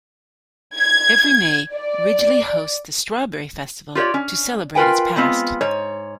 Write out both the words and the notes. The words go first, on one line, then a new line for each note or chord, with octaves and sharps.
Every May, Ridgely hosts the Strawberry Festival to celebrate its past.
G#6
D5
F4 G4 B4 C#5 D5
C#4
F4 A#4 B4 G5 G#5
G#3 B3 C4 F4
G#2 C#5